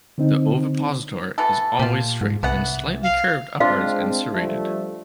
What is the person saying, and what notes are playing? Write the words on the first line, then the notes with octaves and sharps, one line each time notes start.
The ovipositor is always straight and slightly curved upwards and serrated.
D3 C4 D#4
B2 E3 A4
A#2 F4 G4
G#2
C2 E3 B3 F#5
F5
G#3 C4 D4 F4 F5
F3 G3 A3